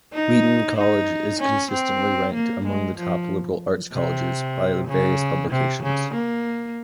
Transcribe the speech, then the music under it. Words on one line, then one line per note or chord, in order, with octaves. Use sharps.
Wheaton College is consistently ranked among the top liberal arts colleges by various publications.
D#4
D#4
C#4
C4
A#3
G#3
F3
C3
C#3
C3
C#3
A#3